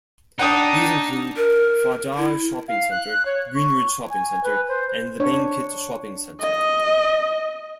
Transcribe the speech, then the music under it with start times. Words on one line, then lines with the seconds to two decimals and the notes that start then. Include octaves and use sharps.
These include Fajar Shopping Centre, Greenridge Shopping Centre, and the Bangkit Shopping Centre.
0.39 D4 D#4 F#5 G5 D#6
1.37 A#4
2.18 E4
2.68 F5
2.90 F#6
3.25 C#5
3.55 C#6
4.10 G#5
4.44 B4
4.68 C5
5.20 D4 C#5
6.40 D#5